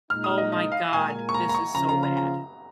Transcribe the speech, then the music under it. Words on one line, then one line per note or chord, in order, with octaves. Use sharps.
"Oh my God, this is so bad."
A#2 G#3 D#4 F6
D#6
D#5
D#5
F5
A#2 G#3 F4 A#4 G#5
C#6
A#5
A#5
C#6
C#3 F3 C#4 F4 A#5
A#5
A#5
A#5